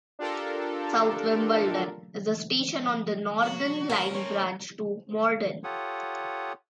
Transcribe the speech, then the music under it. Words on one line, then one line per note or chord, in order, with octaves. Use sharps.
South Wimbledon is a station on the Northern line branch to Morden.
D4 F4 G4 A4 A#4
F#3 F#4
A#3 C#4 F#4 A#4
A3 C4 C#5
F4 G4 A4 C#5 F#5 D#6